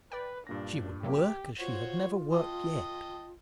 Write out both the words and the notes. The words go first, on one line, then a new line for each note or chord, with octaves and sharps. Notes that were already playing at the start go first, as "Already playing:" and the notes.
She would work as she had never worked yet.
B4 D5 G5
G2 A#2 D4 A#6
C3 F#3 A#3 G4
F4 F#4 C5 C#5
D#5 G5 A5